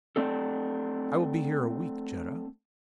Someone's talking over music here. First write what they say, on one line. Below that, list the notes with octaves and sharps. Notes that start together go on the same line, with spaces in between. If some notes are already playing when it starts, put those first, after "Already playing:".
"I will be here a week, Jetta."
A3 C4 D4 A4